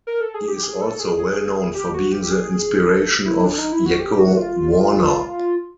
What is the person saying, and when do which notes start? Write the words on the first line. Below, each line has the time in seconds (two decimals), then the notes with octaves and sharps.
He is also well known for being the inspiration of Yakko Warner.
0.07 A#4
0.21 A4
0.34 G#4
0.48 G4
0.63 G#4
0.81 A4
1.00 G#4
1.18 G#4
1.75 G4
1.94 F#4
2.12 G4
2.31 G#4
2.88 A4
3.26 E4
3.44 D4
3.58 D#4
3.72 E4
3.86 F#4
4.00 G4
4.18 F#4
4.37 F4